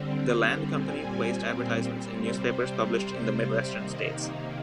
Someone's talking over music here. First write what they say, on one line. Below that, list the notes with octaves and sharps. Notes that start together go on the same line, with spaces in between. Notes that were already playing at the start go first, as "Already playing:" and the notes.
The land company placed advertisements in newspapers published in the Midwestern states.
Already playing: D3 G3 C4
A#2 G3 C4 G#5
C3 G3 C4
G5
F5
C3 D#3 A#3 D#5